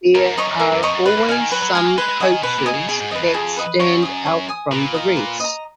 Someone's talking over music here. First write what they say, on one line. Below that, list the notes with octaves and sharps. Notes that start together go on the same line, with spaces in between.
There are always some coaches that stand out from the rest.
F2 A#4
G#2
F#2 D#5 A#5 C#6
F#2
G#2 A#4
F#2
F2 D#5 A#5 C#6
F#2
F#2 B4
G#2
B2 F5 G#5
D#3
F#3 B4
F#3
G#3 F5 G#5
A#3
G#3 B4
G#3
F#3 D#5 G#5
D#3
B2 B4
A#2
D#5 G#5
C#3
B2 G#4
G#2
F2 B4 D#5
F2
G#4
B4 D#5
F#2 C#5
G#5 D#6
C#5
G#5 D#6
A#2 B4
D#5 A#5
B4
D#5 A#5